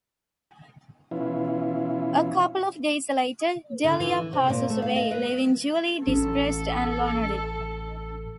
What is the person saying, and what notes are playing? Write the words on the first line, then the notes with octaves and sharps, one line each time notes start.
A couple of days later, Delia passes away, leaving Julie depressed and lonely.
B2 E3 C#4 E4 F4
D3
E3
C3
A#2
A3
F5
D#5
B4
A1 C#4 A4